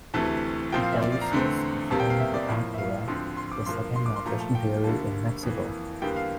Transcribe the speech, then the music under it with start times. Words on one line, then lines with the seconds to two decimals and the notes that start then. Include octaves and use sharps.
Delicias is home to Alpura, the second largest dairy in Mexico.
0.14 D2 C3 E3 A3 A5
0.72 A#2 F3 C4 G5
0.83 F5
0.93 E5
1.02 D5
1.12 D5
1.21 A#5
1.32 E2 D3 A3 C4
1.90 E2 C3 G3 A#3 A5
2.00 G5
2.10 F5
2.20 E5
2.34 D5
2.49 A2 F3 A#3
2.74 E5
2.78 F5
3.08 D2 D3 F3 C4
3.37 C6
3.52 D6
3.66 G2 F3 A#3 C6
3.96 C6
4.06 D6
4.16 C6
4.26 A#2 F3 A3 A#5
4.41 A5
4.55 G5
4.84 D2 D3 G3 A#3 A5
5.43 F2 E3 A#3
6.02 E2 D3 G3 A#3 G5
6.16 F5